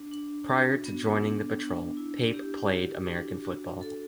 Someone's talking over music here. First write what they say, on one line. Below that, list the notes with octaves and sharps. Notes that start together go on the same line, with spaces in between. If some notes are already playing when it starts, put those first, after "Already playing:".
Prior to joining the Patrol, Pape played American football.
Already playing: D4
D4
F#4
B3
D4
D4
E4
G4
F#4
D4
F#4
A4